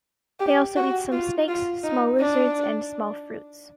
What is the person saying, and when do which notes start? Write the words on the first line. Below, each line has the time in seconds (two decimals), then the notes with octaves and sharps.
They also eat some snakes, small lizards and small fruits.
0.40 G4
0.77 F#4
1.12 F4
1.49 F4
1.84 D#4
2.20 D4